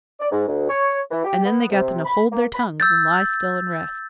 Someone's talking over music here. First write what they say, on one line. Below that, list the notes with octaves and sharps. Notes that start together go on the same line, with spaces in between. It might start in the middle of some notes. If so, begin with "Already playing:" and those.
And then they got them to hold their tongues and lie still and rest.
D5
G#2
D2
C#5
E3
G4
B3
C3
B5
A#3
B5
E6 G6 A6